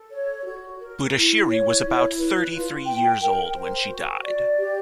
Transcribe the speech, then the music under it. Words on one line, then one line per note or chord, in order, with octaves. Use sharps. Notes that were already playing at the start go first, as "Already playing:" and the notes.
Budashiri was about thirty-three years old when she died.
Already playing: A4
C#5
F#4
A#4
E4
C#5
E4
B4
F4
G5
A#4
C5
F#4
D5
G4